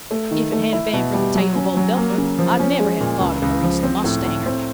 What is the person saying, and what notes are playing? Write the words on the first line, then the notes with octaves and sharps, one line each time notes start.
If't hadn't been for the tale of Old Duffer I'd never have thought of Maurice the mustanger.
A3
D#3
A3
E4
B2
G3
F#3
C#4
F#3
A#3
C#3
F3
C#4
G#3
A#2
C#2
C#2
F3
C4
A2
A2
C4